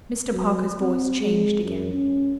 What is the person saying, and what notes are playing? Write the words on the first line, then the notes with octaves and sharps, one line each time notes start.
Mr. Parker's voice changed again.
F#3
C4
G#3
F#2
C#4